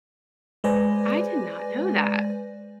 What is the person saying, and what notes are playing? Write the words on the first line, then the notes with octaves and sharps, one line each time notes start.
I did not know that.
G#3 B4 C5 D5 G#5 A#6